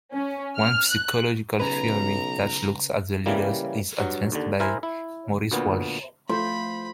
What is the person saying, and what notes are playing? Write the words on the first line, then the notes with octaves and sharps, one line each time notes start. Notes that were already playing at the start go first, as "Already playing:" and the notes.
One psychological theory that looks at the leaders is advanced by Maurice Walsh.
C#4
F6
F#6
B1 C#3 B4 A#5
C#3 E3 G3 A#3
G2 F#3
D#2 D3
E4 A#4 C5 E5 G#5
E4
D2 A#2 B3
F3 A3 C5 B5 C6